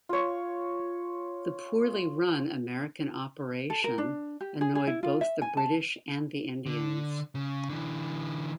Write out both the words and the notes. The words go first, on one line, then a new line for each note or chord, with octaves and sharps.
The poorly run American operation annoyed both the British and the Indians.
F4 C#5
A4
A#4
D4
G4
G#4
G#4
E4
F4
E5
G#5
A5
D3
C#3
D3 E3